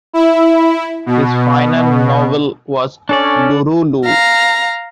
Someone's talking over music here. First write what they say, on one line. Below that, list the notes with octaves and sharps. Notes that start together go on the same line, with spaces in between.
His final novel was "Lurulu".
E4
B2
C#4 D4 A4 D5
F5 A#5